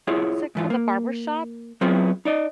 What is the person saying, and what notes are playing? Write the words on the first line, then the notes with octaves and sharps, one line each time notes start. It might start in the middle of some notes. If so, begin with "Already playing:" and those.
what's it called, The Barbershop?
E4 F4 G#4 C#5 F#5
G#2 E3 F4
A#3
F#3 B3 C4 E4 F4 G#4
D#4 D5 D#5